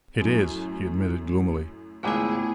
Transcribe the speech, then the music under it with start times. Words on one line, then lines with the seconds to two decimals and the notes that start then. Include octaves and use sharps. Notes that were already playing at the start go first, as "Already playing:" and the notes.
"It is," he admitted gloomily.
0.21 F#2 A2
2.03 G#1 C#2 A3 B3 E4 G#4 D6